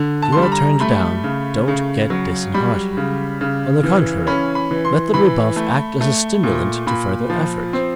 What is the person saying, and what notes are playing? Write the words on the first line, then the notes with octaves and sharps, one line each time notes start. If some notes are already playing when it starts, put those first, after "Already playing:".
If you are turned down don't get disheartened; on the contrary, let the rebuff act as a stimulant to further effort.
Already playing: D3
A5
G3 C6
B5
A#5
A3 B5
C#3
C#3
F#3
G3 B5
C#3
C#3
E3
C#4 B5
B5
E3
C6
E3 B5
A3
A3
A#2
A#2 B5
F3
C4